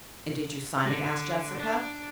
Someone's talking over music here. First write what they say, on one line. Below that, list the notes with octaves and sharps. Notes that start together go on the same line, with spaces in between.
"And did you sign it?" asked Jessica.
D3
D4